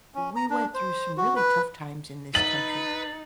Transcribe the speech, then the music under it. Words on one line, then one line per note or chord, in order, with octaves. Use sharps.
we went through some really tough times in this country,
C#4
A#5
D4
C5
F#4
B4
D#4 B4 A6 F#7